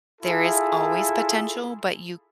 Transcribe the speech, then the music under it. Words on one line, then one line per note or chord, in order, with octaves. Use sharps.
there is always potential, but you
E4 F4 G#4 A4